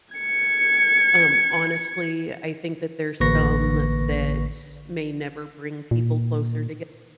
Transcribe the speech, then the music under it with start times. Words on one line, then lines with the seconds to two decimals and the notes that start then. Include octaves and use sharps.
um, honestly, I think that there's some that may never bring people closer toge
0.15 G#6 C#7
3.20 A1 D3 A#3 B4 C#6 A#6
5.91 A#2